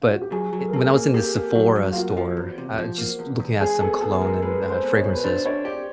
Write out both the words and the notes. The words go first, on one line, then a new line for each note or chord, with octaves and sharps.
but, eh, when I was in the Sephora store, uh, just looking at some cologne and, uh, fragrances,
F4
F#4
G4
F#3 G#4
F#3
A4
A#4
A#3 A4
G#4
A#3
A#3 G4
A#3
F#3 F#4
F#3
F4
A#3 F#4
F3
E2
C3
F3
A#3
E2
E2
G#3 G#4
B3 A4
B3 A4
G#3 A#4
G#3 B4
G#3
C5
B3
C#5
B2
B4
D4 C5
D4 C#5
G4 D5